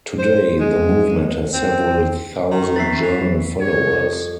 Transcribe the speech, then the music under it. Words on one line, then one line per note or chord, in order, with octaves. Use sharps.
Today the movement has several thousand German followers.
C5
G#3
C4
D#3
C#6
B4 E5 A6 B6 C7
E3
F2 C#5